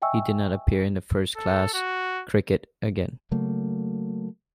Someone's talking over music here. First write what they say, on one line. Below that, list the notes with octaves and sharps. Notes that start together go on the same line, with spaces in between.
He did not appear in first-class cricket again.
D#5 E5 G5 G#5 C#6 E6
A4
F#4
C#3 F#3 A3 A#3